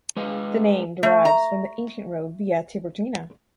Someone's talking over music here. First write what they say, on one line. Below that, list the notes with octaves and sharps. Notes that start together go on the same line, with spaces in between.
The name derives from the ancient road Via Tiburtina.
G#3 B4 D#5 F5
A3
A#5